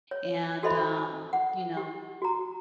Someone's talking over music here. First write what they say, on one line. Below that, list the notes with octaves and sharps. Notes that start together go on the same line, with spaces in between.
and, um, you know,
C#5
F#4 A4 C5 D#5 E5 B5
F#5
G4
F#4 A#5